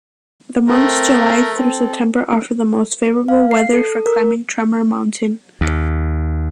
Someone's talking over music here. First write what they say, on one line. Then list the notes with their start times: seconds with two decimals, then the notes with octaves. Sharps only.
The months July through September offer the most favorable weather for climbing Tremor Mountain.
0.68 A3 C4 A#4
1.51 C4 A4
3.28 F5
3.51 C7
3.73 A4
4.06 A#4
5.61 D#2